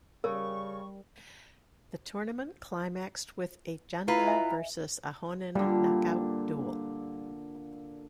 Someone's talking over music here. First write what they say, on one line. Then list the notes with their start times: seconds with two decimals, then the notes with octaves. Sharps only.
The tournament climaxed with a Janda versus Ahonen knockout duel.
0.24 C#3 G3 A#4 C#6
4.08 E4 F4 B4 A#5
4.27 D#5 E5 G#5
5.55 A#2 D3 G3